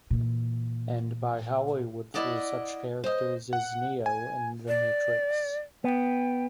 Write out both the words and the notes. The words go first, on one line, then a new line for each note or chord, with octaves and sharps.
And by Hollywood through such characters as Neo in "The Matrix".
A#2 E3
E4 D5 D#5 F#5
C5 D#5
F#5
G#5
D5
B3 G5